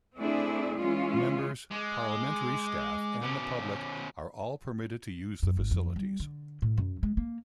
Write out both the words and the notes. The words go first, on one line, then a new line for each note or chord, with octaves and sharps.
Members, parliamentary staff, and the public are all permitted to use the facilities.
A3 C4 D4 E4 G#4 D5
E3 G#3 C#4 F4
G#3 D6
B2 C#4
F#2
G#1
F2
G3
D3
A2
F#2
G#3
A#3